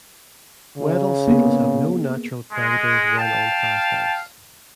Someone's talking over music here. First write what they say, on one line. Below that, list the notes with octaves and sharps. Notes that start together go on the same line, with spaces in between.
Weddell seals have no natural predators when on fast ice.
C#3
A#3 B3 G#4
G#3
F5 G5 A5